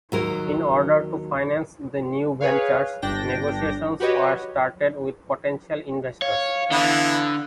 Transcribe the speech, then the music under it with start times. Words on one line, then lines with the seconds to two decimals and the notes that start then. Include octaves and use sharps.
In order to finance the new ventures, negotiations were started with potential investors.
0.12 D#2 F#3 A#4
2.40 G#4 B4 C#5 F5
3.02 G1 D4 G5 A#6
4.00 F#4 G4 B4 C#5 D#5
6.22 C#5 F5
6.71 D3 E3 B3